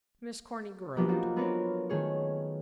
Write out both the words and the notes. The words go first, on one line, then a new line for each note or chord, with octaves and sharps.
Miss Corny groaned.
F3 F#3 A#3 B3 D4 G4
C4 D#4 F4 F#4
B3 C4 D4 A#4 B4 C#5
D#3 A3 G#4 C#5